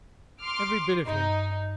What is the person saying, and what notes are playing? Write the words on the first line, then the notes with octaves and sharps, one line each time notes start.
Every bit of him.
C6 D6 F6
G2 D#4